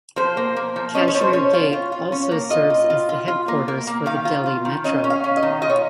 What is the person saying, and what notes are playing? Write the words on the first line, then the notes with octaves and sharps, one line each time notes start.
Kashmere Gate also serves as the Headquarters for the Delhi Metro.
F3 C5
A#3
A#3
F3
C#4 D#5
C#5
F3
C5
C#4 C#5
F4
F4
F4
C#4
A#3
F4 D#5
F4
F4
F4
F4
A#3
A#3
A#3
D#3 F5
F4
F4
D#3
C#4 D#5
C#4
F5
C#4
D#5
D#3
F4 D#5
C#5